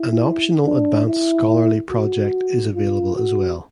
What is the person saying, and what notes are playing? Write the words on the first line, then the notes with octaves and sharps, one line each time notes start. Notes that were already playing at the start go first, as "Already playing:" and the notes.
An optional advanced scholarly project is available as well.
Already playing: E4
D4
E4
F#4
F4
F#4